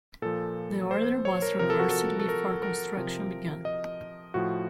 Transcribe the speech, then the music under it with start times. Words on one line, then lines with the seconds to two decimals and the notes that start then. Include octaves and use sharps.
The order was reversed before construction began.
0.22 A#2 F3 A4
0.91 C5
1.25 C#5
1.42 A#4
1.59 C3 F3 A#4
1.70 A4
1.79 F#4
1.90 A4
2.19 A4
2.29 A#4
2.63 A#4
2.97 C3 F3
3.65 D#5
4.34 A2 F3 F#4